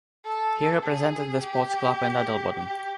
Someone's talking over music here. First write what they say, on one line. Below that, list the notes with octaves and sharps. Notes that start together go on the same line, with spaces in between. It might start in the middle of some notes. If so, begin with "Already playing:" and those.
He represented the sports club in Adelboden.
A4
G#4
G4
G4